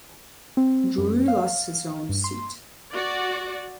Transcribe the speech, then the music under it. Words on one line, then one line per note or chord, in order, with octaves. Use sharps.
Drury lost his own seat.
C4
F#2
F5
G2
C6
F#4 D5